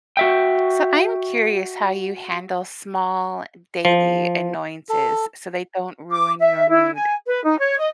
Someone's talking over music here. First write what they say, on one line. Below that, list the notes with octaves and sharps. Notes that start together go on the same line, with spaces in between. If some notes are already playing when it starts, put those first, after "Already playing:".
So, I'm curious how you handle small, daily, annoyances so they don't ruin your mood.
F#4 E5 G5
F3
A4
D6
E5
E4
G#5
B4
D#4
C#5
D#5